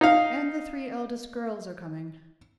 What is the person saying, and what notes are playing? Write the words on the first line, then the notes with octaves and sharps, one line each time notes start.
"And the three eldest girls are coming."
D#4 F5